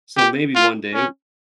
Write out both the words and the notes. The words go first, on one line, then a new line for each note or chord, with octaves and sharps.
So, maybe one day.
G4
F4
C#4